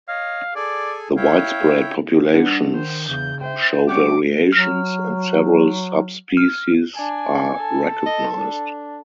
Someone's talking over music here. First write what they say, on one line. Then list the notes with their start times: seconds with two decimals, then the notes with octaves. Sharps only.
The widespread populations show variations and several subspecies are recognized.
0.08 C#5 D#5 F5
0.56 G#4 A4 D5 G#5
1.17 E4 C#5 F5 G5
2.34 G3 D4 B4 F#5
2.74 D#3 C5
3.09 E2 C#3 G6
3.41 C5 E5 G5
3.89 G3 C#4 F#4 G4 D6
4.52 F#3 F6
6.37 F6
6.96 D4 G#5
7.56 A4
8.06 D#5
8.37 D4